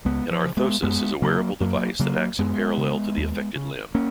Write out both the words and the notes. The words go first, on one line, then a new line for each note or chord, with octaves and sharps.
An orthosis is a wearable device that acts in parallel to the affected limb.
C#2 G#3 B3
F3
C#3
G#3 B3
F#2 G#3 B3
C#3 F#3 A#3
F#2 F#3 A#3
C#3 F#3 A#3
F#2 G#3 B3
C#3
D#2
C#3
A#3 C#4